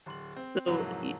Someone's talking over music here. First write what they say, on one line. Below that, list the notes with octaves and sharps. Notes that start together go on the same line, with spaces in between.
So, y
D1 C6 F#7
C4
C2 F2 G#2 E3 F#3 A#3